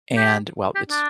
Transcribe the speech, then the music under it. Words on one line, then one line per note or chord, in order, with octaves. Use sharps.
And, well, it's
G4
G4
D4